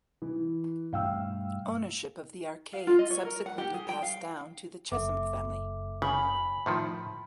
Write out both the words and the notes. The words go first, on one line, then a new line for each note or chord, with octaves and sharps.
Ownership of the arcade subsequently passed down to the Chesham family.
E3
G2 B2 A3 F5 G5 E6
F5
F4
D#5
C#5
A#4
F#5
G4
G#4
G5
F5
F#1 A4 E5 D6
C#3 C#5 G#5 B5 F#7
A2 D#3 F3 C6